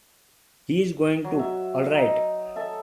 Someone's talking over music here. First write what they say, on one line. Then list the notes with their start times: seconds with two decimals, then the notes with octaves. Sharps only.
He's going to, all right.
1.24 F#3
1.39 E5
1.94 D#4
2.56 A4 E5